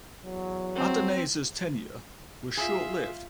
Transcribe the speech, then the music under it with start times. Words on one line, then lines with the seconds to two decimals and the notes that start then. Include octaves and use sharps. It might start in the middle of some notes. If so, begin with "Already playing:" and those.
Adarnase's tenure was short-lived.
0.24 E2 F#3
0.75 C4
2.57 F4 G#4 E5